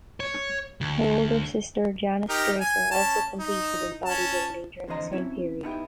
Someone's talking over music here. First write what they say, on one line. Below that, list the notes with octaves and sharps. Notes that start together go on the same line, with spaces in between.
Her older sister Janice Graser also competed in bodybuilding during the same period.
C#5
D2
D#4 G4 A#4
G#5
C#4 A5
D#4
C#4 A5
F2 D3 E3 C5 D#5 A#5
C4 C#4 E4 C#5
B3 D#4 E4 G4